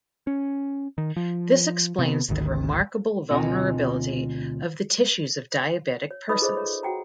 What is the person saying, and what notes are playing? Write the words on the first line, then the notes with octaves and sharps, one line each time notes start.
This explains the remarkable vulnerability of the tissues of diabetic persons.
C#4
D#3
F3
C3 B3
G#1 D2 D#3
D2 B2 C4 F4 D#5 G#5
C#5
D#4 A4 B4 D#5 B5 D#6
F4 G#4 A4 C5 D#5 E5
C#5 E5
F#4 F#5 G5 A#5